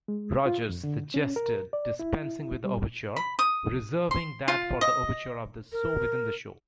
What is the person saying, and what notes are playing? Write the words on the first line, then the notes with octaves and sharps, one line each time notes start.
Rodgers suggested dispensing with the overture, reserving that for the overture of the show-within-the-show.
G#3
F4
F2
D3
C#4
A#4
D5
E4
G3
B5
D#6
C6
F4
D#5
A#4